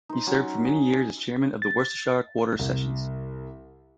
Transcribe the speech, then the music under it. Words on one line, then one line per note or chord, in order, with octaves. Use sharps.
He served for many years as chairman of the Worcestershire Quarter Sessions.
D#4 C5
F#3 C#4
G#4
A6
C2